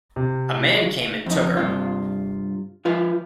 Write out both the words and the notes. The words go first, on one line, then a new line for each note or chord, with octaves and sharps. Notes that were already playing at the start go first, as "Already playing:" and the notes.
A man came and took her.
C3
F2 D#4
G2 C3 F4
F3 F4 B4